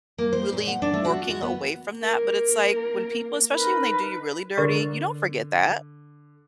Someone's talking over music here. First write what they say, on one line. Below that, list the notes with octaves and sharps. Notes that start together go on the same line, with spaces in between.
really working away from that, but it's like, when people especially when they do you really dirty, you don't forget that.
A#3
C5
A#2
F#5
D4
A3
F#4
F#4
B3
A#3 A#4
D#4 A#4 B4 B5
D3 A#4 D5 C#6